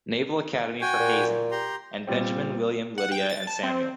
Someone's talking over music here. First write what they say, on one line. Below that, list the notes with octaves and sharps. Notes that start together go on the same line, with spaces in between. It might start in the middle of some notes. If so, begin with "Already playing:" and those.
Naval Academy for hazing; and Benjamin, William, Lydia, and Samuel.
F#4 G5 G#5
A#2
G4 A#5 C6
A#2 G3 C4
F#5
G5
A6
A5
C4